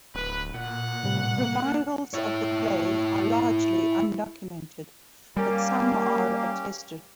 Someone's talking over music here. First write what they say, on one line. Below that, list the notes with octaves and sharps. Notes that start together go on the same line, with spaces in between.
Revivals of the play are largely undocumented, but some are attested.
D1 B4
A#2 F#5
A2 C3 G3
A#3
E4 C#5
G3 A#3 C#4 G4